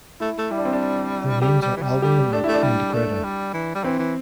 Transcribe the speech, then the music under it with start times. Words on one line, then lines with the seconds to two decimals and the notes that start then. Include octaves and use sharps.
Their names are Alwan and Greta.
0.20 A3 E4
0.38 A3
0.50 G3 E4
0.58 D4
0.65 C4
0.73 D4
1.41 G3 G4
1.62 G3
1.77 E3
1.83 G3
2.02 G3 G4
2.32 A3 D4
2.44 A3 E4
2.54 D4
2.62 G3
2.93 A3
3.23 G3
3.54 E3
3.75 G3
3.84 E3 C4
3.99 E3